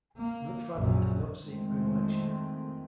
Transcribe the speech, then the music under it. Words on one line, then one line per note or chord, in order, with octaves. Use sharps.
McFadden did not seek re-election.
A#3
A#1 F#2
F2 D#3 G#3 A3 C4